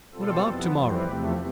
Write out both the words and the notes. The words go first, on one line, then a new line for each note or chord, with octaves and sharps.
"What about to-morrow?"
B2 G3 C4 F4 A4
F2 E3 B3
F2 E3 G3 C4
E2 C3 F3 A3 G4 B4